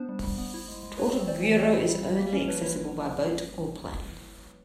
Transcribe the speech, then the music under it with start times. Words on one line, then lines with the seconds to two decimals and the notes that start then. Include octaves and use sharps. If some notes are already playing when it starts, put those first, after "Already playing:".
Tortuguero is only accessible by boat or plane.
Already playing: B3 D4 C5
0.09 G3
0.23 G3
0.38 B3
0.54 E4
0.68 G#3
0.83 G#3
0.98 A3 B4 C#5
1.13 C4
1.28 E3 C5 D5
1.43 E3
1.58 C4 C#5 D#5
1.73 E4
1.89 G3
2.03 G3
2.18 A#3
2.33 C#4
2.48 F3 B4 C#5
2.63 E4